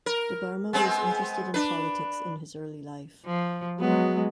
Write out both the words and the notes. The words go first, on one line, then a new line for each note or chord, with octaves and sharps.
Debbarma was interested in politics in his early life.
A#4
G#3 B3 C4
D4 B4
F3
F#3 G#3 B3